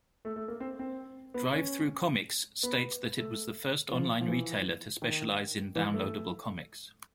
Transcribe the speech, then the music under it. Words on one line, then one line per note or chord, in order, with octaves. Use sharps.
DriveThruComics states that it was the first online retailer to specialize in downloadable comics.
A3
A3
A#3
C4
C4
B3
C#4
B3
A3
F3
F3
E3
D#3
E3
A3